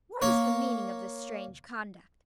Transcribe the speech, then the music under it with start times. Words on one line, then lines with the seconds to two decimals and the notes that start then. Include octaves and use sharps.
What is the meaning of this strange conduct?
0.22 A#3 C#5